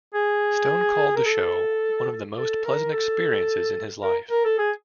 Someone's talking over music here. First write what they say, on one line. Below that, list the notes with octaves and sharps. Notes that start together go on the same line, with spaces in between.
Stone called the show one of the most pleasant experiences in his life.
G#4
A#4
A4
A4
A#4
A4
A#4
A#4
A4
G#4